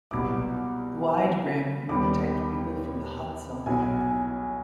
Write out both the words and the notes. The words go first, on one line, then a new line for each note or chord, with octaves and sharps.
The wide brim would protect people from the hot sun.
C2 B2 F#3 B3 D6
D#2 D#3 G3 B3 D6
B1 B2 F#3 G#5
G#5